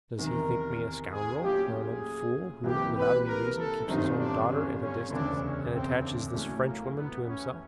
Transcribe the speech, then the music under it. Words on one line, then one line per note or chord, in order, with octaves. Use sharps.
Does he think me a scoundrel, or an old fool who, without any reason, keeps his own daughter at a distance and attaches this Frenchwoman to himself?
E2 C3 D#3 A#4
G#4
A#2 F#3 A3 C#4 F4 G4
G#4
C2 C3 E3 G3 A#3 G4
B4
A#4
A4
G1 F#2 D#3 G3 C4 D#4
D4
C#4
C#4
E1 D2 C#3 D4
C#4
C4
D4
A2 F#3 A3 C#4
A#3
B3
C#4